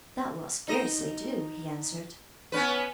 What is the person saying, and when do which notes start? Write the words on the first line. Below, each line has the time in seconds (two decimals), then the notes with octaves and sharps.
"That will scarcely do," he answered.
0.68 D#4 D#5
2.52 B3 C#4 B4